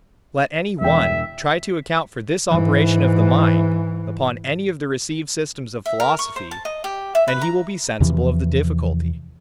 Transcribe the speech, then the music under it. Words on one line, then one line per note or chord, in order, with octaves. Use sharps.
Let any one try to account for this operation of the mind upon any of the received systems of philosophy, and he will be sensible of the difficulty.
E1 E2 E5 G5
G#2 E3
E5
A#4
C#6
C5
A5
D#5
G4
E5
B4
A#5
E2 C3 E3 F3